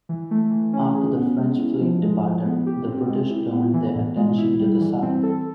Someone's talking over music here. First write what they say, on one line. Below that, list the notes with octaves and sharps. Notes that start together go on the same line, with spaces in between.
After the French fleet departed, the British turned their attention to the south.
E3
A3
E3
C#4
G#4
B3
G#3
E4
F3
G#3
F3
B3
G4
C4
G#3
E4
B3
E3
A2
G#3
E4
G3
E3
C4
A4